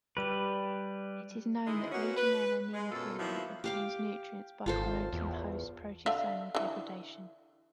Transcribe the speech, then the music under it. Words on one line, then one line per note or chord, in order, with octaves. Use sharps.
It is known that "Legionella pneumophila" obtains nutrients by promoting host proteasomal degradation.
G3 B4
D3 D#3 G#3 D#4 E4
A#3 B3 C#4 F#4
B4
G#3
F#2 B2 F4 A4
D#3 F3 F#3 A#3 B3 E4
G4 F5 D6
G#1 F4 A4 C5
E2
D3 E5 F5
D3 E3